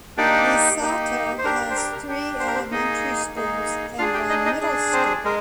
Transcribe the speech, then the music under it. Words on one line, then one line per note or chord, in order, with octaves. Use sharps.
Misato has three elementary schools and one middle school.
A#3 D4 D#4 G4 D5
A#3 D#4 G4
C5
D4 G4 A#4
A#4
C5
A#4
A#4
D4 G4
C5
A#4
C4 C5
A#3 D#4 G#4 D#5
A#3 D#4 G#4
D4 F4 G#4 F5
G4 G5
D#4 D#5
D#4 D#5
D4 G#4
C4 C5
G#3 A#4